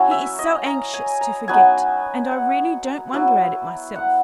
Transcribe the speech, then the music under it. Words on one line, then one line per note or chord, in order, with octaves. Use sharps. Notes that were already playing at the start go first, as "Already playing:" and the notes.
He is so anxious to forget, and I really don't wonder at it myself.
Already playing: F#3 C#4 E4 C#5
E5
D#5
A#5
G#5
A#5
F#3 B3 D#4 G#5
F#5
F#3 B3 E4
F#5